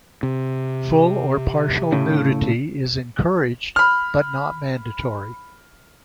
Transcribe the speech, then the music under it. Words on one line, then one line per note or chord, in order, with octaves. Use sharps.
Full or partial nudity is encouraged, but not mandatory.
C3
A2 C#3
B5 F6